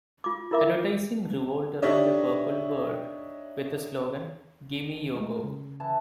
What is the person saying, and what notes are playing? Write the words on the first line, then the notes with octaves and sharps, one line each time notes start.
Advertising revolved around a purple bird with the slogan "Gimme Yogo!".
F4 D6
E4 F4 A#4 E5 D6
D4 D#4 G4 C#5 D#5 E5
G#3 A3 F#4
C#3
E3 A5